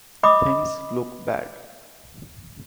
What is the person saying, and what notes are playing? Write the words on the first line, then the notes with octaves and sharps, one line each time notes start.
Things look bad.
D#5 B5 D6 D#6